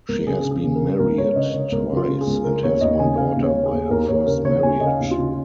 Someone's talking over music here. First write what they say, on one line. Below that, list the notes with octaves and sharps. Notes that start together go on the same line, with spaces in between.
She has been married twice and has one daughter by her first marriage.
C#2 A#4
C#3 G#4
C#3
G#4
C#3
A#4
C#3
C#2 A#4
C#2 C#5
C#3 D#5
C#3 C#5
C#2 A#4
C#3
F4
C#3
G#4
C#2
C#3 A#4
D#2 C#5
D#2 D#5
C#3 G#5
C#3 F5
D#2
C#5
D#2
G#4
D#2
D#2 A#4
D#2 C#5
C#3 A#4
C#3 C#5
D#2 G#5
C#3 D#5
F5
D#2
F4
C#3